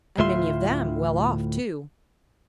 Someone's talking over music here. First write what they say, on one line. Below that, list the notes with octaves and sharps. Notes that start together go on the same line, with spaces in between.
And many of them well off, too.
D2 A2 F4 E5 C6